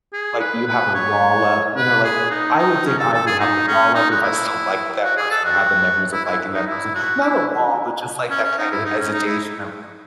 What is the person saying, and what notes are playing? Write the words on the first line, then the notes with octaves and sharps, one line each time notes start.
Like, do you have a wall up? You know, like, I would think I would have a wall up if I still liked that person or had the memories of liking that person, not a wall, but just like that kind of hesitation of
G#4
B4
B4
C#5
B4
G#4
D#4
D#4
C#4
A4
A4
G#4
D#4
C#4
D#4
F#4
E4
F#4
G#4
A4
F#4
E4
E4
D#4
E4
F#4
E4
C#4
C#4
D#4
E4
D#4
C#4
D#4
E4